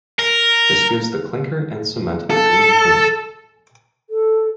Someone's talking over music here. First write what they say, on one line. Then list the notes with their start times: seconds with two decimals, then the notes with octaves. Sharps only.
This gives the clinker and cement a green tinge.
0.19 A#4
2.30 A4
4.10 A4